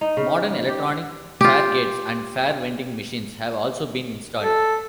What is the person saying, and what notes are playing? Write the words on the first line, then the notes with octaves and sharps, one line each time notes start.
Modern electronic faregates and fare vending machines have also been installed.
D#4
C#3
G4
F4 G4
A4